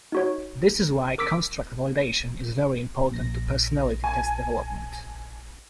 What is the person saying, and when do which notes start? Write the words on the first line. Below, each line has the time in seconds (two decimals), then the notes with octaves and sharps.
This is why construct validation is very important to personality test development.
0.12 D#4 F#4 C#5
1.18 A#4 D6 E6 B6 D7
3.10 A#1 A#6
4.04 G#5 A5